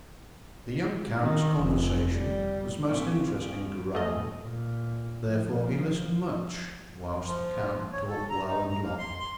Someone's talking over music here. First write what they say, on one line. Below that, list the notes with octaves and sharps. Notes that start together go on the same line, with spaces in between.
The young count's conversation was most interesting to Raoul, therefore he listened much, whilst the count talked well and long.
D#3
F1
G3
A#1 F3 C4 G4 C#6
A3 G#4 D#5 F6
A#2
F3
F3
C#5
A4
A#5
D#4
A#5
A#3
C6
C6